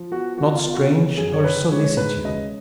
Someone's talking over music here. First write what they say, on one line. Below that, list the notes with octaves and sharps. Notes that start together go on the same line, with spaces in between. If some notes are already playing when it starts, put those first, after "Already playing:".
Not strange her solicitude.
Already playing: F3
B3 F#4
F3 F#4
F4
B3
F#4
C#4 G#4
F#2 G#4
C#5
D#3 B4
G#3 C#5
G#3 B4
C#3 D#5